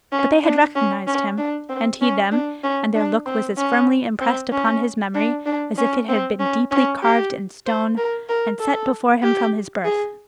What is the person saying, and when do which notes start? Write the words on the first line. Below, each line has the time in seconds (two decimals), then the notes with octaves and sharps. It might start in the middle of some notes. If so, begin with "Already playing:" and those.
But they had recognised him, and he them; and their look was as firmly impressed upon his memory, as if it had been deeply carved in stone, and set before him from his birth.
0.12 C#4
0.44 D4
0.75 C#4
1.07 C#4
1.38 D4
1.69 C4
2.01 C#4
2.32 D4
2.63 C#4
2.94 D4
3.26 C4
3.57 C#4
4.20 C4
4.52 C#4
5.15 D4
5.46 D4
5.77 C#4
6.08 C4
6.39 C#4
6.71 C#4
7.03 G4
7.66 C5
7.97 A#4
8.29 A#4
8.59 A4
9.23 G4
9.85 G#4